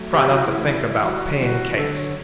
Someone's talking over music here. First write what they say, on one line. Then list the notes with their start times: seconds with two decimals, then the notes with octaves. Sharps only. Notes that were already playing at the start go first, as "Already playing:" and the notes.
Try not to think about pancakes.'
Already playing: F#3 A3
0.11 G4
0.29 C#3 E3 F#4
0.48 E4
0.57 A3
0.66 E3 G3 E4
0.84 E4
1.03 E3 G3 F#4
1.28 F#3
1.39 E3 G3 F#4
1.77 D3 F#3 A4
1.95 C#5